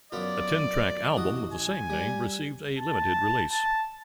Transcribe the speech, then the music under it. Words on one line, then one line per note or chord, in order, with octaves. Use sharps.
A ten-track album of the same name received a limited release.
F#2 B3 F4 D5
A1 F#4 D#5
G#5
G3
A5
A5